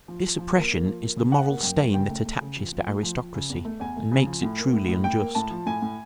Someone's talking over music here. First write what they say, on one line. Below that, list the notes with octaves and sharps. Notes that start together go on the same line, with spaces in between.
This oppression is the moral stain that attaches to aristocracy and makes it truly unjust.
F3
F3
F3
A#3
A#3
F3
A#3
C#3
C#3 F#5
A#3
F#2 G5
A#3
C#3 G5
A3
A3
C#3
F3
F3
A3
F3
F3
C#3
E2
A3
E2 G#5
A3
C#3
F3
A2
A#3
A2
A2
A2 G5
A#3
A2 A5
F3
A2 G#5
A2